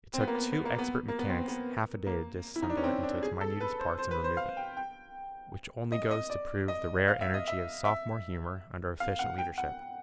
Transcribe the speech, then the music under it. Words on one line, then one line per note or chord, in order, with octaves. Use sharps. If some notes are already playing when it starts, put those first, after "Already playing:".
It took two expert mechanics half a day to dissemble it into its minutest parts and remove it, which only goes to prove the rare energy of sophomore humor under efficient leadership.
C4
B3
A#3
B3
B3
A#3
B3
A#3
B3
C4
B3
A#3
E4
D#4
D4
C#4
C4
D4
G#4
A4
B4
C5
C5
B4
C5
F5
G5
G5
D#5
D#5
D5
D#5
F5
E5
D#5
E5
E5
F5
F#5
G5
F#5